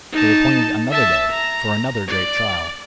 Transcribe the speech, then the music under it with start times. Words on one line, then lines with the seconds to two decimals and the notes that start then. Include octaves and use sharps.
They appointed another day, for another great trial.
0.12 D#4 A5
0.91 E5 A5
1.31 A#5
2.08 D5